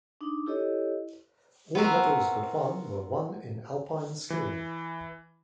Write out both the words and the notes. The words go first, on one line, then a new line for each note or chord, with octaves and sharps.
All medals but one were won in alpine skiing.
D4 D#4
E4 G4 A4 C#5 D#5
B3 C4 F#4 A#4 E5
E3